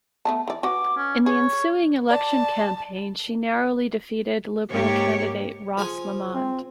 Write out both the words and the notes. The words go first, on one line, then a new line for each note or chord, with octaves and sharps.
In the ensuing election campaign, she narrowly defeated Liberal candidate Ross Lamont.
A3 B3 A5
E3 D5
F#4 B4 F#5 D6
C#4
G#4 C#5
D5 A5
G#2 A#3 G4 C#5
F3 G#4
C4